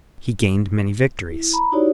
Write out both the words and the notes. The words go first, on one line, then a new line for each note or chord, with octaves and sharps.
He gained many victories.
E4
A#5 B5
D#4 E4 F#4 G4 C#5 D5